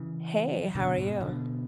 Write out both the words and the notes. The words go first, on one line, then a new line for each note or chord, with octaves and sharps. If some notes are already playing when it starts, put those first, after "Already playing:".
Hey, how are you?
Already playing: C#3 E3
B2 D3
G#2 B2
B2 D3